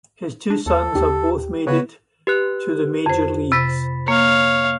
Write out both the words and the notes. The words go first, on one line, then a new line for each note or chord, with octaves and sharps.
His two sons have both made it to the major leagues.
D4
D#2 A4
D#2 G4
C#3 B3 F#4 B4 C#5
G4 B4 F#6
F2 C5
C3 B5 A6 B6
A#3 C#5 F5